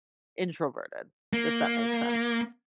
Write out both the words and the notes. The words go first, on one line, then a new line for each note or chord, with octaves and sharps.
introverted, if that makes sense.
A#3